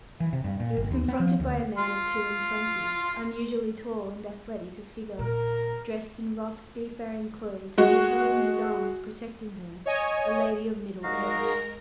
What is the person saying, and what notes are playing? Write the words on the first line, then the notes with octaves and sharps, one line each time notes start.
He was confronted by a man of two-and-twenty, unusually tall and athletic of figure, dresses in rough seafaring clothes, and who held in his arms, protecting her, a lady of middle age.
E3
C3
G2
A#2
G1
D#2
B3
F3
D2
C6 F6
A#2 A#4
G#3 F#4
C#5 D#5 G#5
G#3 D#4 F#4 A#4 F5 A#6